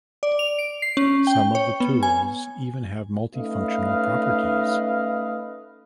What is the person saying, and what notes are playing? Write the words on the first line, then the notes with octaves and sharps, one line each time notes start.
Some of the tools even have multifunctional properties.
D5
F7
D7
C7
C#4
G5
C#5
B3
G#5
A3 C#4 D#4 B4 D#5 F5